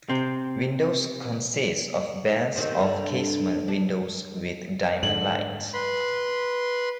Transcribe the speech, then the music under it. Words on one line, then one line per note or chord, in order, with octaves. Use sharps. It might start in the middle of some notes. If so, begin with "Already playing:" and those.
Windows consist of bands of casement windows with diamond lights.
C3 C4
C3 D#3 C4
G2 D3
D4
G#2 D3 F#7
B4 B5 C6